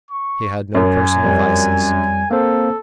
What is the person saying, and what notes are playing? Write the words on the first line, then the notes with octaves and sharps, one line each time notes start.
He had no personal vices.
C#6
F#2 G#5
F2 G3
A#3 C4 A4 C5